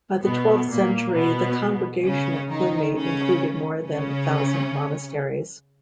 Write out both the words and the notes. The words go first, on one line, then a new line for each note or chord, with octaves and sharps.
By the twelfth century the Congregation of Cluny included more than a thousand monasteries.
B2 B3
A#2 A#3
B2 B3
C#3 C#4
D#3 D#4
C#3 C#4
C#3 C#4